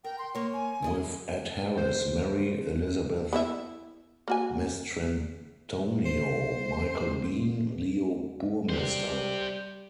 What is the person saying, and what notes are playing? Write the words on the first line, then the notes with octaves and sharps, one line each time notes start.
With Ed Harris, Mary Elizabeth Mastrantonio, Michael Biehn, Leo Burmester.
A#4 G5
C6
A#3 C#5
G#5
E4 G#4 D#5
C5
B3 E4 E5
A#3 F#4 G#5
C5
G3 G4 C5